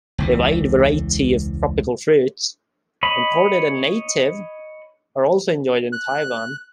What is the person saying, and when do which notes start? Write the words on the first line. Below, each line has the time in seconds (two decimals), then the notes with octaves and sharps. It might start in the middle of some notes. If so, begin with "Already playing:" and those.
A wide variety of tropical fruits, imported and native, are also enjoyed in Taiwan.
0.18 E1 C#2 E3
3.03 C#5 D#5 B5
5.92 F#6